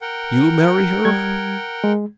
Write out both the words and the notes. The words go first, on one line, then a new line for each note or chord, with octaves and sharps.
"You marry her!"
A#4 F#5 G5
G3 G#6
G#3